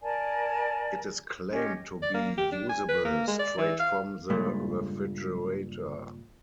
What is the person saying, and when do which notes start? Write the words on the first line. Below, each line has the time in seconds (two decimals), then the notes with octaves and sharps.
It is claimed to be usable straight from the refrigerator.
0.02 A#4 D5 G#5 A5
1.52 C#4 G4 D#5
2.02 D5
2.14 A#3
2.38 G4
2.52 D4
2.69 G#5
2.89 B4
3.05 A#3
3.27 G#3
3.39 D5
3.58 E3
3.80 F5
4.30 G2 A#2 C#3 G#3 A3